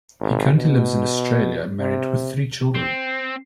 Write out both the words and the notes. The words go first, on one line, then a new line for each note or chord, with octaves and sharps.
He currently lives in Australia, married with three children.
G#1
B2
C3
C4